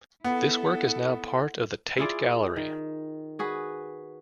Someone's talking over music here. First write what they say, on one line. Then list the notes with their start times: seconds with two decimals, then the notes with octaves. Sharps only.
This work is now part of the Tate Gallery.
0.24 B3 E4 A4 F#5
1.97 E4 F4 G#4 D5
2.56 D#3
3.39 F#4 G#4 B4